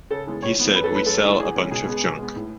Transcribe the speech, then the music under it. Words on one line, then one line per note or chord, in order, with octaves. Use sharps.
He said "We sell a bunch of junk".
C#3 A4
E3 G#3 B3
A2 C#5
E3 B3
F#2 B4
A4
E3 A3 C#4 B4
F#2 A4
E3 A3
E2 G#4
C#3 G#3 C#4
B2 G#4
G#3 B3
B2
G#3 B3
A2